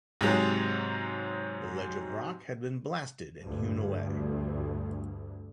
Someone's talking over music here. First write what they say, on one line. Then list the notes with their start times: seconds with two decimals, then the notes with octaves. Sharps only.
The ledge of rock had been blasted and hewn away.
0.21 G#2 C3 F#3 G#3
3.43 D2 G2